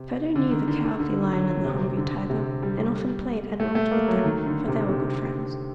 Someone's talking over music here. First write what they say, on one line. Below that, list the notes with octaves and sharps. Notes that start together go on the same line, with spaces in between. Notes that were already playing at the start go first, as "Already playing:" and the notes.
Toto knew the Cowardly Lion and the Hungry Tiger and often played and romped with them, for they were good friends.
Already playing: C3
D3
D#3
D3
D3
D3
F#3
C3
D3
C3
G3
A3
A3
A#3
F#3
D#3
D3
C3
C3